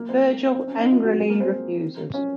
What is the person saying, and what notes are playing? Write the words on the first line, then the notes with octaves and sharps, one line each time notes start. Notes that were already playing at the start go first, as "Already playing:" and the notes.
Virgil angrily refuses.
Already playing: A#3 A#4
C4 C5
C4
C#4
D#4
F4
F#3 F#4
G#3 G#4
A#3 A#4
C4 C5
C#4 C#5